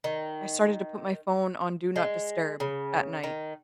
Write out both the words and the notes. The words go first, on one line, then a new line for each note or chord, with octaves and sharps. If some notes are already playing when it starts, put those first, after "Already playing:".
I started to put my phone on "do not disturb" at night.
D#3
G#3
C#3
D#3